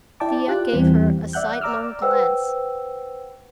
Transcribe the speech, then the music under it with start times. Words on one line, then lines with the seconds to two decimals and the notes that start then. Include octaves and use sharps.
Thea gave her a sidelong glance.
0.20 E4 D5 G5 A5 D6
0.48 F4 G4 F#6
0.73 E2 E3 G3 C4
1.33 D5 E5 F#5 F#6 G6
1.61 D5 A#5 D6 E6 F6
2.02 B4 C5 F#5 G5 E6